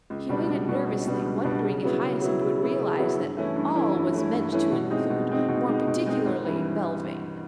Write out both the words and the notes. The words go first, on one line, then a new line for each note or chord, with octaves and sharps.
He waited nervously, wondering if Hyacinth would realise that "all" was meant to include more particularly Belvane.
C#2
B2 G3 B3 D4
C#2
B2 G3 B3 D4
C#2
B2 G3 B3 D4
C#2
B2 G3 B3 D4
C#3
F#3 B3 E4
C#3
F#3 B3 E4
C#3
F#3 B3 E4
C#3
F#3 B3 E4
G2
E3 A3 C#4 E4
G2
E3 A3 C#4 E4
G2
E3 A3 C#4 E4
G2
E3 A3 C#4 E4
B2
G#3 C4 D#4
B2
G#3 C4 D#4
B2
G#3 C4 D#4
B2
G#3 C4 D#4
G#1
G2 E3 G3